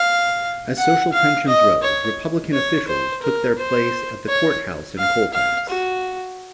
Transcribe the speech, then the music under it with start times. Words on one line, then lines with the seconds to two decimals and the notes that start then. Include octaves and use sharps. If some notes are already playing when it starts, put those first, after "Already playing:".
As social tensions rose, Republican officials took their places at the courthouse in Colfax.
Already playing: F5
0.78 F#5
1.13 F5
1.48 D#5
1.83 C#5
2.53 C#5
2.88 C5
3.23 A#4
3.58 C5
4.28 C#5
4.99 F5
5.33 F5
5.69 F#4